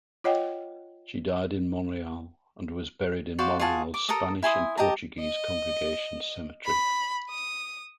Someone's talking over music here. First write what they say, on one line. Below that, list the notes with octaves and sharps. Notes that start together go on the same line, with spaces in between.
She died in Montreal and was buried in Montreal's Spanish and Portuguese Congregation Cemetery.
F4 C#5 D#5 F#5 G5
F#4 C5 D5 F5
F4 F#4 G#4 A5
D6
A4 A#4 A#5 D#6
E4 G#5 C6 D#6
G4 D#5 A5 A#5
D#5
B5
D#6